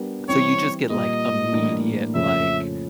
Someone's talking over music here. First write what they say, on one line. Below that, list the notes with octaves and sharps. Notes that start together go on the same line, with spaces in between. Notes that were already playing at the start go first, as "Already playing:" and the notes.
so you just get, like, immediate, like
Already playing: G3 B3 D4 G4 A#4
E3 G3 C4 C#5
A#2 G3 A#3 D#5
A2 E3 G3 A#3 D4
F2 C#3 F3 A3 C#4 E5